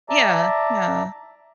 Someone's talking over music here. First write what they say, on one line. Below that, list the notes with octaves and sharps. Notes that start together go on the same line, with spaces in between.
Yeah, yeah.
D5 E5 A5 A#5